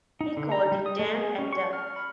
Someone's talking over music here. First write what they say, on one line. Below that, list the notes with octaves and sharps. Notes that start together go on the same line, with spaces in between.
He called it damp and dark.
D#4
D3
A#5
G3
D#6
A3
G#4
C#4
C#6
F6
B5